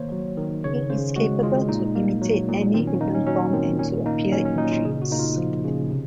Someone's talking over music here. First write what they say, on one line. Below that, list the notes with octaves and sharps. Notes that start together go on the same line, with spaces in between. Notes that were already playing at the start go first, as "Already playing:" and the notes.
He is capable to imitate any human form and to appear in dreams.
Already playing: D#3 A#3 C5 C#5
F#3
D#3
C#3 C#5
C#3 C5
G#3 F#4
G#3 F4
A#2 D#4
A#3
F#3
A#2
D#3 C4
C#4
A#3 D#4
C#4
F#3 C#4
D#3 C4
A#2 C#4
A#3 D#4
F#3 C#4
C#4
A#2 D#4
F4
C#3 G#4
F#4
A#3 D#4
F4
F3
C#3
C3